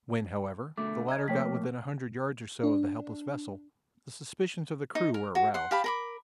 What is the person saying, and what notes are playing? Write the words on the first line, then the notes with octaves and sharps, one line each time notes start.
When, however, the latter got within a hundred yards or so of the helpless vessel, the suspicions of the crew were aroused.
B2 D3 A3 D6
D#5 A#5 G#6
F3 A3 A#3 C#5 G5 B6
D4
D#4
A#4
F#4
F#5 C6
G4 F5 A5 B5
A#4 B5 D6